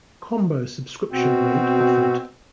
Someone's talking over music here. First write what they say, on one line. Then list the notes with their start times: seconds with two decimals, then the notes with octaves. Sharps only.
Combo subscription rate offered.
1.11 B2 C4 F#4